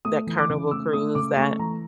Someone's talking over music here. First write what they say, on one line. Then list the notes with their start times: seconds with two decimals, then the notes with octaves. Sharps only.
that Carnival cruise that
0.05 A3 D#6
0.27 E3
0.38 D6
0.49 C#3
0.71 A3 E6
0.93 A3 D#6
1.15 C#3 D6
1.37 A3 C#6
1.59 E3 A#5